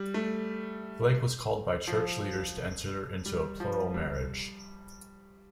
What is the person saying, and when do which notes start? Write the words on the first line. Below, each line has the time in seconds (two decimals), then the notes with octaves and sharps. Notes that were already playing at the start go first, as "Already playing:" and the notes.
Flake was called by Church leaders to enter into a plural marriage.
Already playing: G3
0.14 A3
1.87 F3
3.26 G3
3.60 F3
3.94 G3